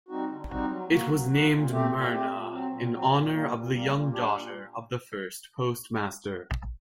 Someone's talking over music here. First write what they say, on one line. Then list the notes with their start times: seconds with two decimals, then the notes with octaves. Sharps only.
It was named Merna in honor of the young daughter of the first postmaster.
0.08 G3 C4 D#4 F#4
0.29 D3
0.49 G3 C4 D#4 F#4
0.69 F#3
0.89 A#3 F#4
1.09 F#3
1.30 A#3 F#4
1.50 A#2
1.70 A3 C4 G4
1.91 A#2
2.10 A3 C4 G4
2.31 A#2
2.51 F#3 C4
2.71 A#2
2.91 F#3 C4
3.11 A#2
3.32 G3 A#3
3.52 A#2
3.72 G3 A#3
3.93 A#2
4.12 G3 D4 G4
4.33 A#2